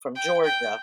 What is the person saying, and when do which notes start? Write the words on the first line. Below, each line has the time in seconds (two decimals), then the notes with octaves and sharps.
from Georgia.
0.16 G5
0.45 G5